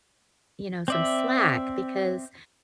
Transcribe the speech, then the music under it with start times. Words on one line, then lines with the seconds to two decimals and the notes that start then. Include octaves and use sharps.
you know, some slack, because,
0.88 C4 D5 E5